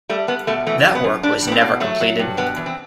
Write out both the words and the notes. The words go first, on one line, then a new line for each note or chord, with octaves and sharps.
That work was never completed.
G3 A3
G3 B3
B2 A3
E3 A3
F#2
B3
F#2
G3 D4
G3
B3
C4
B2
F#3 A3
F#3
G2
B2 B3
E2
C4